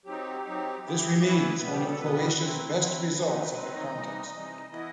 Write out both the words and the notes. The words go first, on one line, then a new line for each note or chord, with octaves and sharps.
This remains one of Croatia's best results at the contest.
F#3 C4 D#4 G4
F#3 C4 D#4
E3 B3 E4 G4
E3 B3 E4 B4
B2 G3 B3 B4
G4
A4
B2 G3 B3 B4
F#3 C4 E4
F#3 C4 E4
D#3 F#3 C4 D#4
D#3 F#3 C4 D#4 B4
D#5
C3 E3 G3 D#4
C3 E3 G3 D#4
E3 B3 E4 D#5